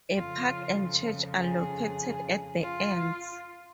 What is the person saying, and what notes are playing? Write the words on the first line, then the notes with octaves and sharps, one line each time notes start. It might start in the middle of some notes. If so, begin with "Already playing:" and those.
A park and church are located at the ends.
F2 C#3 F4
G#4
F4